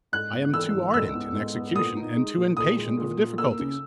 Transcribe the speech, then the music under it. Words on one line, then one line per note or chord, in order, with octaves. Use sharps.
I am too ardent in execution and too impatient of difficulties.
G#2 F#6
B3
E3 E6
G#2
G#2 E6
B3
G#2
B3
A#2 D#6
D#4
G#3
A#2
A#2 D#6
G#3
A#2
A#2
A#3 E6
C#3